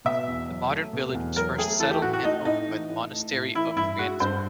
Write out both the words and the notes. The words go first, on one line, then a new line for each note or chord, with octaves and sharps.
The modern village was first settled and owned by the Monastery of Frienisberg.
B2 E5
E2
F#3
A3
B2
E2
F#3 A#4
A3 G#4
E3 A4
G4
A2 F#4
F#4
A3 D#4
A2 D#4
E3
A2
A3
A2
E3 E4
G2 E4
G#3 F#4
G2 C5